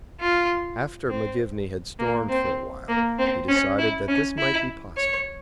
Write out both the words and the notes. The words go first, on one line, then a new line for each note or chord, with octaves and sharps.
After McGivney had stormed for a while, he decided that this might be possible.
F4
C4
A#3
C4
A#3
C4
C#4
E4
C#4
E4
C#5